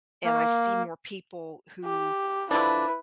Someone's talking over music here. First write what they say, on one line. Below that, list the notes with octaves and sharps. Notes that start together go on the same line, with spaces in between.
and I see more people who
A#3
G4
D3 F3 D4 E4 B4